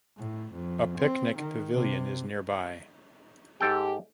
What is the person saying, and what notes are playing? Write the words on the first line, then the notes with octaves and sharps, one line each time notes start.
A picnic pavilion is nearby.
A2
F2
C4
D#3
C3
G#2 G4 A4 G5